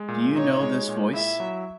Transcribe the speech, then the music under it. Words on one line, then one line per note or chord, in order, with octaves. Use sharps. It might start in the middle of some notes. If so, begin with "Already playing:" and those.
Do You Know This Voice?
Already playing: G#3
A#2
D#4 C#5
G#3
A#2
E4 E5
F#3